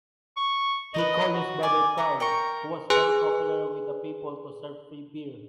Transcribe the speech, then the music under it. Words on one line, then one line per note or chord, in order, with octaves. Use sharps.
He called his brother, Carl, who was very popular with the people, to serve free beer.
C#6
D#4 A#4 B4 D#5
F#4
D5 G#5
A3 B3 A#5
A#4 G5 A#5 C#6
G#4 B4 G#5 C6 F#6